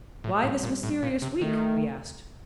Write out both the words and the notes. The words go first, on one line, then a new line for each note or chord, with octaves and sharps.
"Why this mysterious week?" we asked.
A2 G3
A2
A#2
A2
A#2
C3
D#3 A3